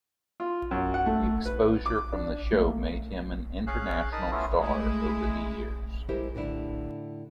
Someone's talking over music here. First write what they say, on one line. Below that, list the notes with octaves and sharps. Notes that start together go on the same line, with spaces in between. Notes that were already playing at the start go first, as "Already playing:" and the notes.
The exposure from the show made him an international star over the years.
F4
F#2
F#5
A3
B4
D6
D4
A3 A#3
C#4 G#4 F5 F#6
D#4 A#4 A5 B5 D#6
A3 B3 C#4 E4 F4
G#3 A3 E4 G#4
G#3 E4 G4 A#4 C5
A2 D3 D4 E4